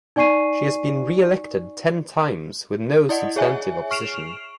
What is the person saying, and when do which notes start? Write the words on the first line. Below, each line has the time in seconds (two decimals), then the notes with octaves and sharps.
She has been reelected ten times with no substantive opposition.
0.16 D#4 D5 G#5 C#6 C7 D#7
3.09 E4 D5 D#5 F#5
3.36 G#4 C#5 E5 G#5
3.91 C#6 F6 C7 D7 E7 F7